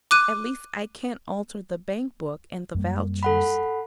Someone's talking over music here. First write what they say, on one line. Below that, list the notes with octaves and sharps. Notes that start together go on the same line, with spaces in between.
At least I can't alter the bank-book and the vouchers.
D6 F#6 D#7
F#2 G3 A#3
A4 F#5 B5